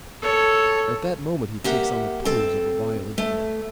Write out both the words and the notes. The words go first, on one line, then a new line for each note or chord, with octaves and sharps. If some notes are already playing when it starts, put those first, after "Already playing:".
At that moment he takes on the pose of a violin player.
A4 C#5
A#3 G4 E5 F#5
C4 A4
A3